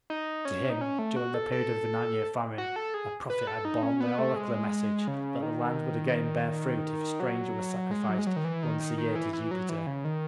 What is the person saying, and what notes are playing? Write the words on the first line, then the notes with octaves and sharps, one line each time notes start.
To him during the period of a nine-year famine a prophet had borne the oracular message that the land would again bear fruit if a stranger were sacrificed once a year to Jupiter.
D#4
C#4
D#4
C#4
A3
F#4
A4
A4
F#4
A4
G#4
B4
A4
D#4
C#4
B3
A3
G#3
C#3
D#3
F#3
G#3
F#3
G#3
F#3
D#3
E3
D#3
D#3
D#3
E3
E3
F#3
E3
C#3
D#3